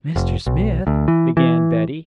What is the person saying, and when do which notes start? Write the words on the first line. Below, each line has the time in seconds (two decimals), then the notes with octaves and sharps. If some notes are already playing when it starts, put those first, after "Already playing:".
"Mr. Smith," began Betty.
0.16 F1
0.46 B1
0.87 D2
1.08 E3
1.37 E3